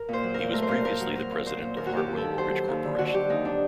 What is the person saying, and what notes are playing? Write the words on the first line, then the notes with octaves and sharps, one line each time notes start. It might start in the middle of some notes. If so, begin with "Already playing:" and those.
He was previously the president of Heartwell Mortgage Corporation.
Already playing: A#4
A#2 C5
F#3
A#4
A#2
A3 A#4
C5
A#2 A#4
A#2 A#4
F#3
F#3 A#4
A#2
A#2 C5
A#2
D#2 A#4
F#4
D#2 G4
D#2
D#2 A4
F#3 C5
F#3
D#2
D3
D3 F#4
F#3 G4
D#2 D#4
D4